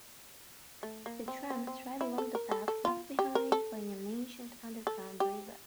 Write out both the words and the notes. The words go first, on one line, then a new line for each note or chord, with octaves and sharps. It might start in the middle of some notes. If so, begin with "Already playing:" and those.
The trams drive along the path left behind by an ancient underground river.
A3
A#3
C4
C4
C4
E4
A4
A#4
A4
A4
F4
G4
A#4
A4
A4
G4